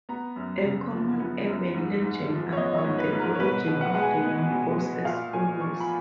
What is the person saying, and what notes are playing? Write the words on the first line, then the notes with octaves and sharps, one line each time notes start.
A common urban legend about the origin of the name goes as follows.
B3 A#5
F#2
C#3
F3
B3
F#2
G#2
G#2
F3
C#5
B3 D#5
D#5
C#5
G#2
B4
G#2
A#4
C#5
B2 B4
B2
F#5
G#3 F#5
G#5
B3
B2
B2
A#2 F5
A#2 G#5
F3 C#6
B5